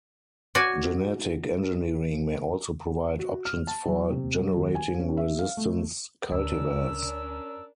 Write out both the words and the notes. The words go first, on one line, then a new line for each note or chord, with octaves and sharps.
Genetic engineering may also provide options for generating resistance cultivars.
F#4 D5 G#5
F#4
F6
A5
F#3
C3
F#3
D#1
G#5
C#4
E5
F5
A3
D2 C#4 D4 A#4 E6